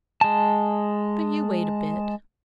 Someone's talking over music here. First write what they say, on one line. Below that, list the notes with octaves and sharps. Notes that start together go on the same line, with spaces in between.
But you wait a bit.
G#3 A5